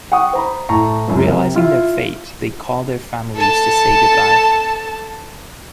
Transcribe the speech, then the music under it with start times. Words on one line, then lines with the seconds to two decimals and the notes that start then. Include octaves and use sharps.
Realizing their fate, they call their families to say goodbye.
0.12 F#5 G5 C#6 D#6
0.33 C5 A#5 B5
0.69 A2 A5 A#5 C#6
1.08 C#2 F#2
1.26 C3 A#4
1.54 E4 F4 E5
3.36 A4 A5